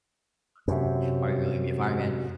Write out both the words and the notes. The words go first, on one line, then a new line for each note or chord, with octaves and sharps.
honestly, are you really gonna be a fireman?"
F#2 C3